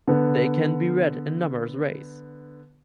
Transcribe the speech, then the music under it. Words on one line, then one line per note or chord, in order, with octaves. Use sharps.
They can be read in numerous ways.
D3 B3